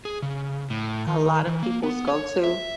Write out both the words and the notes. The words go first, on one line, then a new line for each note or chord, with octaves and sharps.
a lot of people's go-to.
G#4
C#3
A2
D#3
E3
A#3
B3
C#5
E5